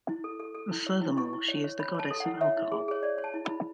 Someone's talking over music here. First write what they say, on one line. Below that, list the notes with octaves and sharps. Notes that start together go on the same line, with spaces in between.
Furthermore, she is the goddess of alcohol.
E4
A4
A4
A4
E4
C#5
E4
E4 C#6
E4
C#5
C#5
C#5 B5
C#5 A5
A4
F#5
E4
C#5 E5
E4
G#4
G#4 C#5
C#5 D5
C#5
A5
E4
E4 B5